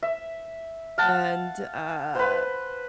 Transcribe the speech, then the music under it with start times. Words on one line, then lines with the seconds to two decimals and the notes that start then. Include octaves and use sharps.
And, uh,
0.03 E5
0.98 F5 F#5 A5
2.15 B4 C5